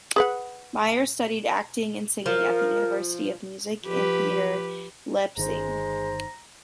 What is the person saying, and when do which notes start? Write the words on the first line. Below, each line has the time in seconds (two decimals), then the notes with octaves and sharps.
Meyer studied acting and singing at the University of Music and Theatre Leipzig.
0.16 G#4 B4 F#5
2.26 F3 A#4
3.85 F3 G4 B4
5.37 G1 D#3 G#3 C5 A#5